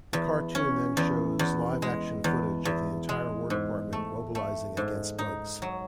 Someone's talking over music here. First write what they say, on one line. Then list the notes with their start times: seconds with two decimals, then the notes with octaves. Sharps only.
The cartoon then shows live-action footage of the entire War Department mobilizing against Bugs.
0.13 E2
0.55 C#4
0.97 E2
1.39 E2
1.82 G#3
2.24 E2
2.65 E2
3.09 G#3
3.50 G#2
3.93 A3
4.35 A3
4.77 G#2
5.19 D#4
5.62 F#3